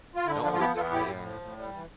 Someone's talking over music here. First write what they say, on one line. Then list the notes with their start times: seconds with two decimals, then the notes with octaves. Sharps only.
I don't wanna die yeah.
0.15 F4
0.27 D3 E4
0.43 F3 D4 F4
0.53 F4
0.59 B3 E4 G4
0.75 B3 F4 A4
0.91 A2 E4 G4
1.08 A2
1.24 F3
1.41 A2
1.57 G3
1.74 E3